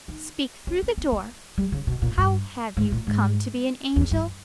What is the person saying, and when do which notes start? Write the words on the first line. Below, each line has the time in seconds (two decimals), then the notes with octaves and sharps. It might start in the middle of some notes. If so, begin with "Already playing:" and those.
Speak through the door. How have you come to be an angel?
0.08 D#4
0.67 C#4
0.83 C#4
0.98 B3
1.12 A#3
1.58 G3
1.72 C#3
1.87 B2
2.02 A#2
2.18 G2
2.77 G#2
2.92 A#2
3.07 G#2
3.96 E2
4.11 G2